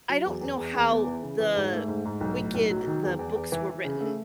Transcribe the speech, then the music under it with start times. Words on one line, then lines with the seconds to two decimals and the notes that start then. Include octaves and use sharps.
I don't know how the Wicked the books were written
0.09 F#3
0.25 E2
0.41 E2
0.57 E2
0.75 E2
0.91 B3
1.07 E3
1.23 C#3
1.40 E3
1.56 G#2
1.73 A3
1.88 G#2
2.05 G#2
2.21 B1
2.38 A2
2.54 B1
2.71 F#3
2.87 D#3
3.03 E2
3.19 E2
3.36 E2
3.52 E3
3.69 E3
3.84 C#3
4.01 A3